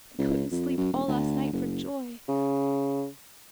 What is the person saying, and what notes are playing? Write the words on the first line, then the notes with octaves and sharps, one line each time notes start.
I couldn't sleep all last night for joy.
C#2
F2
F#2
E1
D2
F#1
C#3